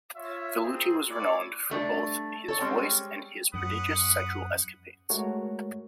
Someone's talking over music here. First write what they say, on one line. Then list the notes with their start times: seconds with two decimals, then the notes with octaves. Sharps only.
Velluti was renowned for both his voice and his prodigious sexual escapades.
0.16 F4 C#5 E5
0.62 A#3 C4 F4 G#4
1.10 A3 E4 C#5 D5
1.70 G3 A3 D4
2.48 A4 C#5
2.60 G3 G#3 C4 C#4
3.54 F#2 B4 F#5 D#6
5.10 G#3 A3 F#4 A#4 C#5